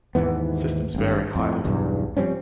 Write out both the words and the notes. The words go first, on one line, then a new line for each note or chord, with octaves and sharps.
Systems vary highly.
D#2 G#2 E3 B3
G#1 G2
F2 A2
B1 E2 G2
F3 G3 C4 C#4